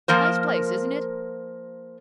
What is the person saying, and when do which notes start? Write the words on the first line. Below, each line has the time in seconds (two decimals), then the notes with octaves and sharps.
Nice place, isn't it?
0.08 F3 A#3 A#4 C5